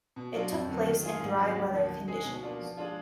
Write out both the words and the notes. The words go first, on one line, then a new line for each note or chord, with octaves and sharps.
It took place in dry weather conditions.
B2
F#3 D4 F4
F2
D3 F#3 A#3
D#3
A#3 F4 G#4
G#2
F#3 B3 D4
D2
D3 F3 A#3
D3
G#3 D#4 G#4
B2
A#3 D4 F4
F3
G#3 D4 F4